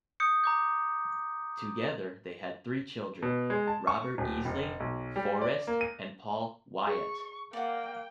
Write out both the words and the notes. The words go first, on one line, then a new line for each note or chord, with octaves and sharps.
Together they had three children, Robert Easley, Forrest, and Paul Wyatt.
D#6 G6 C#7
A#5 D6 G6
B2
G#3
A5
C#6
D1
F1
B1
G3
D5
A#3
D#7
G#4 C#6
A#3 D5 F#5 G5